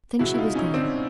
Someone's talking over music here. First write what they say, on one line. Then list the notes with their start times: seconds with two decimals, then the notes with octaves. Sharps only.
Then she was gone.
0.19 C#2 B2 F#3 E4 F#4
0.34 E4
0.38 D#4 F4
0.55 C#4 D#4
0.74 C4 D4